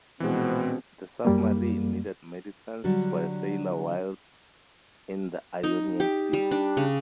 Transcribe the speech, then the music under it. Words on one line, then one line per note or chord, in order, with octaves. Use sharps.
The submarine needed medicines for a sailor whilst in the Ionian Sea.
A#1 B2 E3 G#3 C4
F#2 G3 A#3
D3 F#3 G3 D4
D#4
G4
G3
D4
C#3